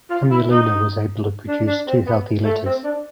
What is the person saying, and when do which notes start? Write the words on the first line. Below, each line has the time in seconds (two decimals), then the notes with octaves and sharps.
Cumulina was able to produce two healthy litters.
0.10 F4
0.30 E4
0.50 D#4
1.48 D4
1.67 D4
1.87 C4
2.06 B3
2.45 A3
2.65 C4
2.84 D4